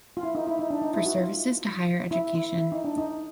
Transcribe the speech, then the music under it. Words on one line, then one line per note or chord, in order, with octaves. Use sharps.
For services to Higher Education.
F4
E4
D#4
E4
D#4
D4
D#4
E4
F#4
F4
E4
E4
E4
D#4
D4
D#4